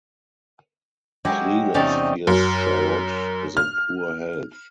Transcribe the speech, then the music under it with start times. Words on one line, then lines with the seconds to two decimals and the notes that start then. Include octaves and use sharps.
Cledus fears Charlotte is in poor health.
1.25 F#3 G#3 E4 G4
1.74 E2 C3 G3 C#4 D#4 A5
2.27 F#2
3.57 F6